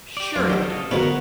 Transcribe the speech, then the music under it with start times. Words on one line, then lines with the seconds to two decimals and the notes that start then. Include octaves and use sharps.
Sure it can.
0.17 G4 D5
0.36 F#2 F4
0.50 G3 G#3 D4 F#4
0.62 A4 D#5 F5
0.91 D3 F3 G#3 B3 F#4 A#4 C#5 F#5